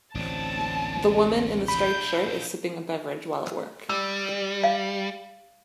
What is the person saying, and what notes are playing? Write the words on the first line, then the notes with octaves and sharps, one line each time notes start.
The woman in the striped shirt is sipping a beverage while at work.
A1 D2 C4 D4 A5
D4 G#4 B5 G6
G3 E6
F5